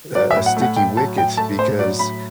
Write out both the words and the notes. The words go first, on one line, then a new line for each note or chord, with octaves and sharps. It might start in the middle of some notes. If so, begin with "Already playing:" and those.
a a sticky wicket because
F#3 D5
E5
A2
F#5
A3
F#5
A2 G5
F#3 A5
A2 G5
A3 A5
A2 C5
F#3 D5
A2 B5